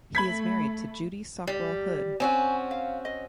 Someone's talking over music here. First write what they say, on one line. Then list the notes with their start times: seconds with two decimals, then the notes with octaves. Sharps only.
He is married to Judy Sockwell Hood.
0.15 A3 B5 G#6 B6
1.47 G3
2.20 C4 C#4 F#4 G#5
2.71 F5
3.05 D#5